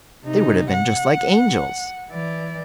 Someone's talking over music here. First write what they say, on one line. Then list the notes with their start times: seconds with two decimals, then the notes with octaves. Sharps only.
They would have been just like Angels....!'
0.25 C3 D#4
0.72 F#5
2.11 E3 D5